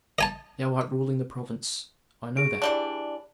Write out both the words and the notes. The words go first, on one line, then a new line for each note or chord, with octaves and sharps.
Thou art ruling the province--I know that.
D#5 G#5 A5
G#4 D7
E3 G3 D4